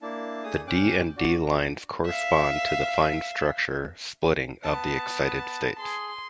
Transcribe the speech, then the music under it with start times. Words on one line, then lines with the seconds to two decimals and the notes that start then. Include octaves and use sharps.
The D and D lines correspond to the fine-structure splitting of the excited states.
0.02 A#3 D4 E4 A5
0.44 A3 G#4 D#6
0.67 C#4 G5 D6 F#6
1.17 D4 F#4 D5
2.05 E5 F5
4.64 B3 A5
5.80 G#4 C6